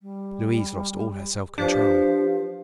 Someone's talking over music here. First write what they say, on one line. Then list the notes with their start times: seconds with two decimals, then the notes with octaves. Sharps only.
Louise lost all her self-control.
0.02 G3
1.58 F3 D4 G4 B4 C5